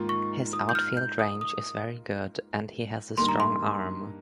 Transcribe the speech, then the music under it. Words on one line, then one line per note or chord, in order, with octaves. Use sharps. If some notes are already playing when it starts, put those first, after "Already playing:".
His outfield range is very good, and he has a strong arm.
Already playing: G#2 D#3 A#3 F4
C#6
D#6
G6
F6
G6
D#6
D#6
G2 D#3 A#3 C6
A#5
C6